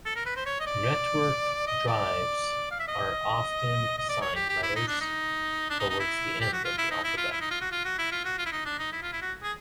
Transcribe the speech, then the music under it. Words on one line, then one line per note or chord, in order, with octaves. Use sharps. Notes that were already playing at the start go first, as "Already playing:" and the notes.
Network drives are often assigned letters towards the end of the alphabet.
A4
A#4
B4
C5
C#5
D#5
D5
D#5
D5
F5
E5
D#5
D#5
D5
C#5
G4
G4
E4
D#4
D4
D#4
D4
D#4
D#4
E4
G4
F#4
F4
E4
D#4
E4
F4
E4
D#4
F4
F#4
F4
F#4
E4
F4
F#4
F4
E4
D#4
D4
D#4
E4
F4
E4
F#4
G#4